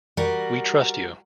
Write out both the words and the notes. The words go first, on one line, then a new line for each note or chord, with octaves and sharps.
We trust you.
G3 F#4 A#4